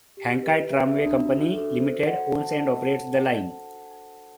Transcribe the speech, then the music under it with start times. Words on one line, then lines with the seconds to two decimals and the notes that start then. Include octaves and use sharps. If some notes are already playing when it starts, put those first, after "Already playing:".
Hankai Tramway Company, Limited owns and operates the line.
0.17 G4
0.43 B4
0.71 E5
0.97 D4
1.25 F#4
1.52 A4
1.79 C5
2.05 F#5
2.33 A5